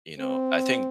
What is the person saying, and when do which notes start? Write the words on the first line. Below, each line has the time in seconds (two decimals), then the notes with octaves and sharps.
You know, I think,
0.20 C4